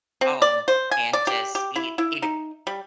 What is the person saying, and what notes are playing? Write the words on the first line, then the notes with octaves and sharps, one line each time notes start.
home and just eat eat a
C4
D5
C5
G#5
D5
G4
G4
E4
E4
D#4
G3